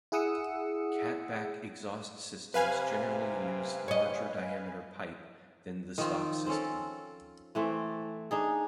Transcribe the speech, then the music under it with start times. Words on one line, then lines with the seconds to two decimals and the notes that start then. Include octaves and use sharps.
Cat-back exhaust systems generally use larger diameter pipe than the stock system.
0.12 E4 G#4 F#5 D#6 E6 C#7
2.54 C3 B4 F5 G#5
3.88 C#5 D#5
5.98 D#3 F3 C4
6.47 C4 C#4 A4
7.55 E3 A3 C4
8.31 D4 D#4 G#4